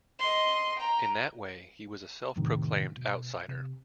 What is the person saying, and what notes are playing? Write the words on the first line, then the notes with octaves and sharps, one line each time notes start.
In that way, he was a self-proclaimed outsider.
D#5 C6
G5 A#5
F2 A2 C3 D#3
B2
C3